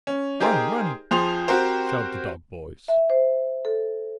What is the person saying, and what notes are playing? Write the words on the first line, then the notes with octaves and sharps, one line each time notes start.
'Run! run!' shout the dog-boys.
C#4
D#4 G4 G#4 A#4 C5
F2 F3 G#4 C5 C6 F7
C4 F#4 G4 A#4 C5
E5
C5
A4